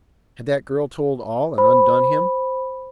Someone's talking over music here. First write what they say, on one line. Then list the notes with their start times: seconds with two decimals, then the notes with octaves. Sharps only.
Had that girl told all and undone him?
1.58 C5 B5